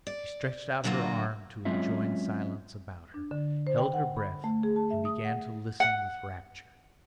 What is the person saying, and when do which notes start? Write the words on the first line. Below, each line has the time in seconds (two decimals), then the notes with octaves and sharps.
She stretched out her arm to enjoin silence about her, held her breath, and began to listen with rapture.
0.07 D5
0.84 A2 D3 F#3 A#3 F4 F#4
1.65 F#3 G#3 C4 C#4 F4 E5
3.14 D4
3.31 D3
3.67 C5
3.78 G5
3.94 F#5
4.16 B5
4.44 A3
4.63 G#4
4.76 A5
4.90 E5
5.05 D#6
5.25 F#5
5.80 F#5